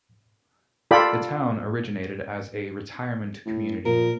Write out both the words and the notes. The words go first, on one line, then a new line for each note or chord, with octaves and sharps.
The town originated as a retirement community.
F4 A4 D5 G5 B5
A2
A#2 F3 A#4